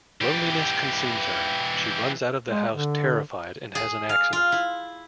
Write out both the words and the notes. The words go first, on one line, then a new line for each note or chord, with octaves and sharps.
Loneliness consumes her, she runs out of the house terrified and has an accident.
E3 G4
G#3
D3
G#4
F5
F4
E4